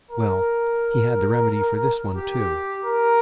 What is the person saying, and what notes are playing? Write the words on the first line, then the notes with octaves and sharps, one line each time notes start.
Well, he had the remedy for this one, too.
A#4
G4
A#4